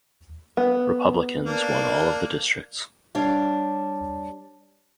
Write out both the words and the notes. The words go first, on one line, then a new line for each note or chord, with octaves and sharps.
Republicans won all of the districts.
B3
A#3 D4
G3 D4 C#5 F5